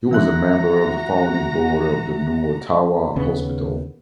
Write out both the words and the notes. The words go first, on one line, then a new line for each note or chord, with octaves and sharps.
He was a member of the Founding Board of the New Ottawa Hospital.
E3 F#4 E5 A#5 F#6
D#2 C#3 B3